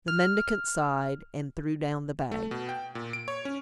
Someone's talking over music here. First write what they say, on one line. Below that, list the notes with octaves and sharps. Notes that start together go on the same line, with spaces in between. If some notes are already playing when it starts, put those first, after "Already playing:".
The mendicant sighed and threw down the bag.
F6
A3
B2
G5
A#2
D7
C#5
C#4